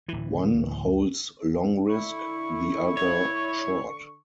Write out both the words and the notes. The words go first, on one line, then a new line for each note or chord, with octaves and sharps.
One holds long risk, the other short.
D1 E3
D2
D3 E4 C#6
C#5